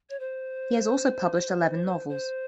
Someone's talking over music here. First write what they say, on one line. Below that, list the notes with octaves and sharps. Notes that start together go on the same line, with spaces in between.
He has also published eleven novels.
C#5
C5
C5